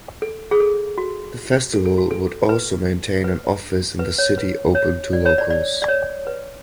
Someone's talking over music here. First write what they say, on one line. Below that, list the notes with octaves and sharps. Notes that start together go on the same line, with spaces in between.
The festival would also maintain an office in the city open to locals.
A4
G#4
A4
F#4
A4
A4
F#4
A4
B4
B4
B4
C#5
B4
C#5
D5
C#5
D5
D5
D5
C#5
B4